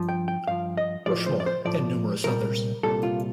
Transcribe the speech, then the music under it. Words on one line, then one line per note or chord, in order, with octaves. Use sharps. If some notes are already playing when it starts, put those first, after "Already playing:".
Rushmore; and numerous others.
Already playing: G2 F3
G5
G5
G2 F3 F5
D#5
A2 F3 D5
C5
D5
C5
A2 F3 D5
C2 A#2 G3 A#4
C2 A#2 G3 A4
F4